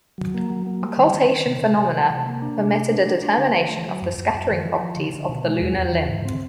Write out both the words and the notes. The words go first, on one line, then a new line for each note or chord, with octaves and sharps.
Occultation phenomena permitted a determination of the scattering properties of the lunar limb.
F#3
A#3
F#3
A#3
G3
D#3
D#3
D#3
C3
C3
C3
E3
C3
A#3
D4
C3
A3
D4
D4
D4
D3
D3
A3
F#3
F#2
F#2
F#2
D#3
F3
F3
D3
D3
B2
G#3
E2
E2
E3
G#2
C4